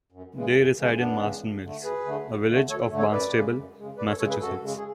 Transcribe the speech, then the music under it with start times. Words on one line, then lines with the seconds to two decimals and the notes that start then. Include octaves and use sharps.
They reside in Marstons Mills, a village of Barnstable, Massachusetts.
0.12 F#2
0.35 C#3 E3 G#3
0.56 F#2
0.77 C#3 E3 G#3
0.98 F#2 B3 D4
1.19 C#3 E3 G#3
1.42 D2
1.63 D3 A3
1.84 D2 G#4 B4
2.06 D3 A3
2.26 D2
2.48 D3 A3
2.70 D2 A4 C#5
2.91 D3 A3
2.98 A4 C#5
3.12 F#2 B4 D5
3.34 C#3 G#3
3.56 F#2
3.77 C#3 G#3
3.98 F#2 B4 D5
4.09 A4 C#5
4.19 C#3 G#3 A4 C#5
4.30 G#4 B4
4.40 F#2 F#4 A4
4.62 C#3 G#3
4.78 G#4